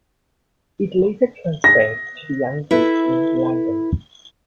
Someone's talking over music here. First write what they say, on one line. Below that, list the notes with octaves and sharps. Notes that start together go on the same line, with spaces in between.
It later transferred to the Young Vic in London.
A#6
E4 A4 B4 E5